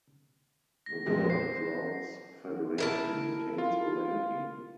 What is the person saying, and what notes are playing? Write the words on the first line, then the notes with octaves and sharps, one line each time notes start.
The World Draughts Federation maintains a ranking.
A#6
F2 A#2 G#3
C5 C7
E4 A#4 A5
F4